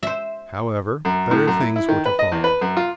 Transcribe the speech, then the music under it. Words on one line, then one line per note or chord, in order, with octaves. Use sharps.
However, better things were to follow.
C5 E5
F#2
A2
F#2
E4
E4
D#3
B4
D#5
E2
B4
F#2
F4